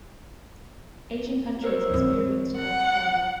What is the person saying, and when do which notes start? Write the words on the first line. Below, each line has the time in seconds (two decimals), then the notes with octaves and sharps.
Asian countries experienced Coca-Cola.
1.64 A#4 C5 C#5 E6
1.90 E3 C4
2.57 F#5